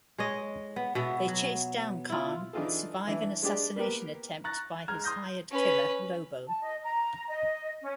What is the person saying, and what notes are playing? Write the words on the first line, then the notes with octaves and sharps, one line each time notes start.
They chase down Khan and survive an assassination attempt by his hired killer Lobo.
G#3 C#5 D#5
B3
B2 B3 E5
F#3
E4 F4
E3 D4 D#4 F4 G#4 A4
E3 D4 E4
G#3 D4 G4 D5
A#3 B3 G4 A#4
A#5 C#6 F#6 A6 A#6
G#3 A#5 F6 G#6
C6 D#6 G6 A#6
C#4 B4
A5
D#5
A#5
D#5
C#4